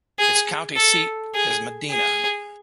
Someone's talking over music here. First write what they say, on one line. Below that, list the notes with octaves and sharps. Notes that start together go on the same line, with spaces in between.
Its county seat is Medina.
G#4
A4
G#4
G#4